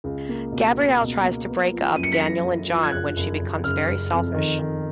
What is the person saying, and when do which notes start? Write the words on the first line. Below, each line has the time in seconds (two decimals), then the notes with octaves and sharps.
Gabrielle tries to break up Danielle and John when she becomes very selfish.
0.04 C#2
0.29 A#3
0.52 B2
0.77 A#3
1.01 B2
1.24 A#3
1.49 B3
1.72 F3
1.96 F#2 D#7
2.03 C#7
2.13 B6
2.20 F#2 A#6
2.44 F#2
2.68 F3
2.83 G#6
2.92 F#1 F#6
3.16 F#1
3.39 F#1
3.64 F#1 F6
3.87 F#1
4.11 F2
4.34 D#3
4.59 D#3